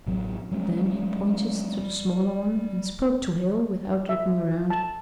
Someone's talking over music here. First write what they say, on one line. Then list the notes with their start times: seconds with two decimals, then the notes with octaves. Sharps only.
Then he pointed to the smaller one and spoke to Hale without looking around.
0.06 A1 A2 F#3
0.51 F3 F#3 G#3 C#4
1.79 G3
4.09 E5
4.70 A5